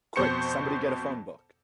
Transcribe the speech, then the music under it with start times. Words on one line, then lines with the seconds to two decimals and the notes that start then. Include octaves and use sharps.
Quick, somebody get a phone book.
0.16 F2 B2 C5 C#6 C#7